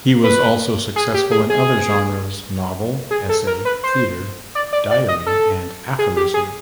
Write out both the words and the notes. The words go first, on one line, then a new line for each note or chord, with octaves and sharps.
He was also successful in other genres: novel, essay, theater, diary and aphorism.
B4
G#4
G4
G#4
G#4
G#4
A4
A#4
B4
C5
D5
D5
D5
D#5
A4
G#4
G4
G#4